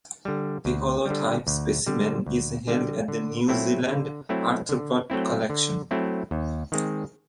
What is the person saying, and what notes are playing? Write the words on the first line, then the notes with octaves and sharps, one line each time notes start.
The holotype specimen is held at the New Zealand Arthropod Collection.
D3 G3
D2
D3 G3
D2
D3 G3
D2
D3 G3
D3
F#3 A3 C4 E4
D3
F#3 A3 C4 E4
D3
F#3 A3 C4 E4
D3
F#3 A3 C4 E4
D#2
D#3 G#3 C4